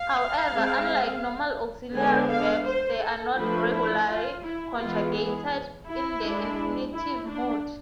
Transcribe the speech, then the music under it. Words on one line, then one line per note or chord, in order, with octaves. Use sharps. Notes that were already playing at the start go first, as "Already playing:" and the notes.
However, unlike normal auxiliary verbs, they are not regularly conjugated in the infinitive mood.
Already playing: F5
G#3 C4
D3 G#3 B3 D4 G#5
F5
C5
A4
F3 A3 D4 B4
E4
F4
E4
E3 G#3 B3 F4
G#4
E4
G#3 D4
E4
D4